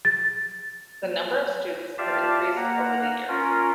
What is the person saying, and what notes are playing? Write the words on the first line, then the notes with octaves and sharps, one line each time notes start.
The number of students has increased over the years.
A6
F4 G4 D5 E5 F5 A5
A#3 F#5 A#5
C#4 F4 A#4